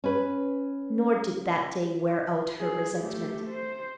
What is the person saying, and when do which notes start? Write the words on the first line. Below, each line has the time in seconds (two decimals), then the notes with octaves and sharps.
Nor did that day wear out her resentment.
0.04 C#4 B4
2.60 F#3 G#4
2.96 A3 G4
3.50 C5